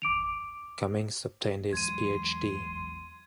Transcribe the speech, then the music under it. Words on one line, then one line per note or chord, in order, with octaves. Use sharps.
Cummings obtained his PhD.
D6 D7 F7
E2 F#3 G#3 C6 G#6 D#7